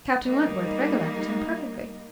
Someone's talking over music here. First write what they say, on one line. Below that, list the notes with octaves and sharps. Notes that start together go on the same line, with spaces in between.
Captain Wentworth recollected him perfectly.
G3 A#3 D#4